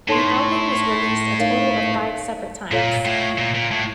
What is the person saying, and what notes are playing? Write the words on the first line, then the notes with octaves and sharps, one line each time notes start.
The album was released a total of five separate times.
A2 D#4 A4 C#5 A5 C6
D#4 A#4 C#5 F5
A#2 F4 A4 C#5 F5
A2
A#2
A#2
A2